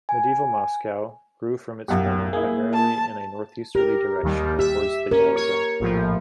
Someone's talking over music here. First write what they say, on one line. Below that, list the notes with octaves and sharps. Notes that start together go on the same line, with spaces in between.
Medieval Moscow grew from its Kremlin primarily in a northeasterly direction, towards the Yauza.
G#5
B1 F#2 G4 F#5
A#3 E4 G#4
A5
G4 A#4
D#2 D#3 G3
G4 E5
C#4 A#4
C#5
A#1 A2 F3